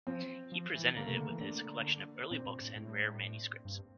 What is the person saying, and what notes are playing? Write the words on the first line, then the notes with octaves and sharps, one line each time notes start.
He presented it with his collection of early books and rare manuscripts.
F3 C4
F3
E3
D3 A#3
C3 A3
D3 A#3
E3
D3 D4
A#2 C4
A#2
A2
A2
G2